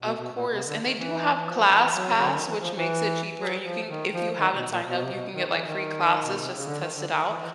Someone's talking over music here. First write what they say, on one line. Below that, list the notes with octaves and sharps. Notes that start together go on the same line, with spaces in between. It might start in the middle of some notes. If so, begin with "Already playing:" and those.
Of course, and they do have ClassPass, which makes it cheaper, and you can, if you haven't signed up, you can get, like, free classes just to test it out,
B2
B2
A#2
C3
D3
D#3
E3
E3
F3
E3
F#3
C#3
D3
D#3
E3
F3
E3
F#3
F3
D#3
F3
D#3
B2
A#2
B2
C3
B2
D#3
E3
D#3
B2
C3
C#3
D3
D#3
D3
D#3
E3
E3